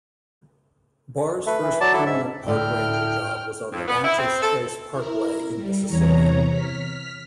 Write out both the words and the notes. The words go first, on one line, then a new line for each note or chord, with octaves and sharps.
Barr's first permanent Park Ranger job was on the Natchez Trace Parkway in Mississippi.
A3 B4
E3
F#3 D5 A5
E4 A4
G#2 E5
D2 A2 G5 F6
F2
B3
E4
C4
A4
E4 A#4
G3
E2 C3 E3 C#5 A#5
F6 B6